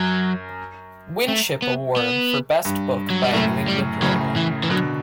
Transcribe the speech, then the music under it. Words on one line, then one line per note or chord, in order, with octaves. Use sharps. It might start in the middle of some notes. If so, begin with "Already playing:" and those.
Winship award for best book by a New England writer.
Already playing: F#2 F#3
A3
B3
B3
G2
F#3
G3
F#2 A2 A3
G3
A2 C#3 F#3
E3
E3
B2 D3 F#3